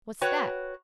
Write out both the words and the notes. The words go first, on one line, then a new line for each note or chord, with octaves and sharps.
"What's that?"
F#4 B4 C#5 G5